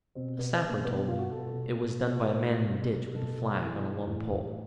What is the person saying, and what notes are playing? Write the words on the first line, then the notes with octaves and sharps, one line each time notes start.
A sapper told me it was done by a man in a ditch with a flag on a long pole.
B2 C4
B2 B3
B3
B2
A#3
B2 B3
B2 F4
F#4
B2 A4
B2
B2
B2
B2 A#4
B2
B2
B2
B2 A4
B2
E3
E3
A2
A2